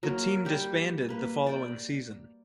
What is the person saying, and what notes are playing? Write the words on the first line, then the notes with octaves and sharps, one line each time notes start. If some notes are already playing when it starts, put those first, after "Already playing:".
The team disbanded the following season.
F#3 A#3 A#4
G3 G4
A#3 B4
D5 G5